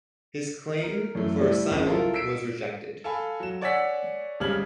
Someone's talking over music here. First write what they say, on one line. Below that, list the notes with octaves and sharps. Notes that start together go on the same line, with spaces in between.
His claim for asylum was rejected.
A#4
F#2 E3 A3
G3 A3 E4
G#1 C#2 C#3 F3 C#4
E4 F4 A4 A#4
E6 B6 C7 D7 E7
A4 F5 G#5 B5
F#3 E7
C#5 D5 F#5 G#5 E6 B6
G#1 C#3 G3 F6 G#6 F#7